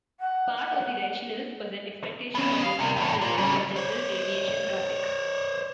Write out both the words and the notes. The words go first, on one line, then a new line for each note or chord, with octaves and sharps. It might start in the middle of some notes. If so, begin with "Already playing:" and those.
Part of the rationale was an expectation of increasing levels of general aviation traffic.
F#5
B3 C#4
F5
C2 C3
E2 A2
A#2 A#3
C#3 G3
C5 C#5